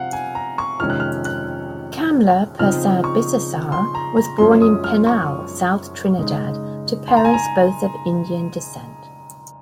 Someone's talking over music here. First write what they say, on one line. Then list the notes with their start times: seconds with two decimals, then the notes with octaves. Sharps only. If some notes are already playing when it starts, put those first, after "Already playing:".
Kamla Persad-Bissessar was born in Penal, South Trinidad to parents both of Indian descent.
Already playing: C3 F3 C4 F5 F#5
0.13 G#5
0.35 A#5
0.58 C#6
0.80 F2 C3 D#3 G#3 C#4 F6
0.90 F#6
1.00 F6
1.25 F#6
2.59 C#3 F3 C4 D#4 F6
3.04 C#6
3.72 C6
3.95 A#5
4.17 A#5
4.38 F#2 F3 G#3 C#4 C6
4.62 D#6
4.84 F6
5.07 C#6
6.19 C#3 G#3 D#4
7.08 C6
7.17 A#5
7.25 G#5
7.34 A#5